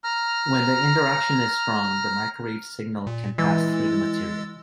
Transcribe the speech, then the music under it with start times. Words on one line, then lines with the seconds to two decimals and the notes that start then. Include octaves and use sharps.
When the interaction is strong, the microwave signal can pass through the material.
0.04 A#5 F6
3.07 A#2
3.38 E3 G#3 E6 A6